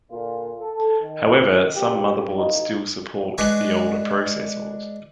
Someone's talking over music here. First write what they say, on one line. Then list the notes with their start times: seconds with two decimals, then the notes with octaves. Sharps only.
However, some motherboards still support the older processors.
0.11 A#2 D3 F4
0.59 A4
1.01 D#3
1.75 C#2 F4 G4
2.35 A1 B2 F3 D#4
3.38 G#3 D4 B4 G#5 C#6